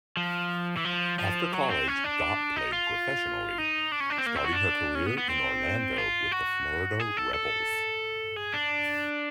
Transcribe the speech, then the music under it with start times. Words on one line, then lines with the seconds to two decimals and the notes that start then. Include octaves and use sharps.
After college Dot played professionally, starting her career in Orlando with the Florida Rebels.
0.17 F3
0.77 E3
0.85 F3
1.19 F3
1.52 F#3
1.70 C4
1.88 C#4
2.04 D4
2.56 D#4
2.73 F4
3.58 D#4
3.92 D4
4.00 C#4
4.10 D4
4.18 C4
4.26 A#3
4.35 C4
4.44 F#4
4.52 D4
4.95 C#4
5.06 B3
5.18 B3
5.30 C4
5.98 F4
6.32 F#4
7.00 G#4
7.17 A4
7.34 A4
8.36 G#4
8.54 D4